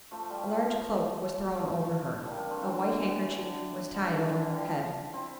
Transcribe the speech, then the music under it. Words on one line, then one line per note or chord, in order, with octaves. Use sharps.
A large cloak was thrown over her; a white handkerchief was tied over her head.
F3 A3
G3
F3
F3 A3
G3 A#3
A#3 D4
A3 C4
E3
D3
D3
E3
D3
D3
E3
D3
E3
G3
F3
C4 E4